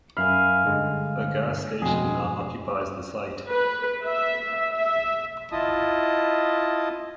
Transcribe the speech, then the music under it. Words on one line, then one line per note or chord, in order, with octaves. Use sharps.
A gas station now occupies the site.
F#2 E5 F5 G#5 B5
G2 D3 G#3
F2 B2 G#3 G#4
B4
E5
E5
E4 F4 D#5 A5 D#6